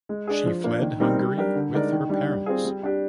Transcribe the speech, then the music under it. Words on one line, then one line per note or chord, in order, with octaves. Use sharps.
She fled Hungary with her parents.
G#3
D4 G#4
F3
A#3 D4
D#3
G3 C4 D#4 A#4
G3
D4 G4 A#4
D3
G#3 D#4 A#4 D5
D#3
G3 D4
G3
C4 F4 G#4
G3
D4 G4